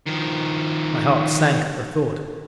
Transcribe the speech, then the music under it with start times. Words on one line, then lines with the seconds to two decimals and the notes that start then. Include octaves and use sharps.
My heart sank at the thought.
0.07 D#3 F3